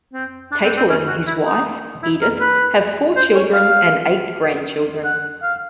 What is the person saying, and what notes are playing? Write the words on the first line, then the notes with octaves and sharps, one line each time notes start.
Tatel and his wife, Edith, have four children and eight grandchildren.
C4
D4
C4
C4
C#4
F#4
E4
D#4
E4
A#4
B4
C5
C#5
F5
F#5
F5